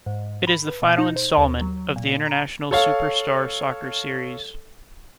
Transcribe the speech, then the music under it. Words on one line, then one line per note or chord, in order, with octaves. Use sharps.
It is the final installment of the "International Superstar Soccer" series.
G#2
B5
B4
B2
D#4
C5
D#2
F#3
A#2
A#5
A4 C#5 F5